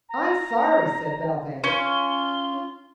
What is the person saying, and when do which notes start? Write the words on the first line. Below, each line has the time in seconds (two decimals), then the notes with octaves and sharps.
"I'm sorry," said Belvane.
0.09 A#5
1.64 C#4 F4 G7